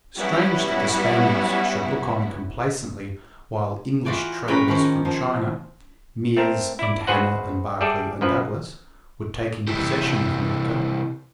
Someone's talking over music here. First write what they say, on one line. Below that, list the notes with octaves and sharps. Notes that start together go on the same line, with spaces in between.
Strange that the Spaniards should look on complaisantly while English traders from China--Meares and Hanna and Barkley and Douglas--were taking possession of Nootka.
F#3 G3 B3 C#4 E4 F#4
E3 F4 F#4 D5 G5 G#5
A2 C#4 A#4 B4 G5
D#3 F3 A#3 C#4
F3 C5
A3 C4 A#4
E4 D5
F#4 G#4 B4 C5 F#5
G3 G#4 A4 D5 E5
F#2 F3 B4
C3 E3 G#3 C4 E4 G4